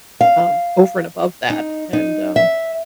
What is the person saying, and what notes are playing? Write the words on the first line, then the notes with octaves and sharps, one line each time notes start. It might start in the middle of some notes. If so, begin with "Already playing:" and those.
um, over and above that and, um
F5
D#4
D#4
E5